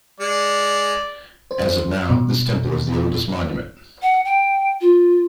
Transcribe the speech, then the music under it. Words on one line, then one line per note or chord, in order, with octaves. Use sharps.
As of now, this temple is the oldest monument.
G#3 D5
C5
B2
F#5
G5
F4